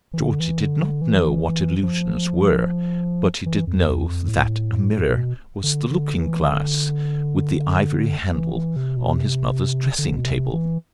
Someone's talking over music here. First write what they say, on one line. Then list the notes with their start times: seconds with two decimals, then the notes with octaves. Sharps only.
Georgie did not know what illusions were, but he did know that a mirror was the looking-glass with the ivory handle on his mother's dressing-table.
0.13 E3
0.20 D3
0.40 E3
0.61 D3
0.81 D3
1.02 E3
1.83 F3
3.46 E3
3.67 F2
3.87 E2
4.07 F2
4.28 A2
5.09 B2
5.63 D3
5.90 D3
6.18 E3
6.45 D3
8.35 E3
8.56 E3
8.76 C3
8.97 B2
9.17 C3
9.98 D3
10.16 B2
10.25 C3
10.53 E3